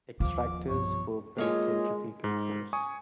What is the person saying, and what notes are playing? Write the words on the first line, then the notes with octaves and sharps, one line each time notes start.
Extractors work by centrifugal force.
D#2 F3 F5 D6
B1 G2 B2 C#5
G#3 A#3 F4 C#5 D#5
G#2
G#5 C#6 D#6